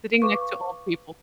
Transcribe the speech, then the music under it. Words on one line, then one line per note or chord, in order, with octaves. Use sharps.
Sitting next to old people.
B4 F5 C#6 D6